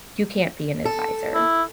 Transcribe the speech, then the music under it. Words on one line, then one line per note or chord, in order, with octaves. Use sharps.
you can't be an adviser."
A4
E4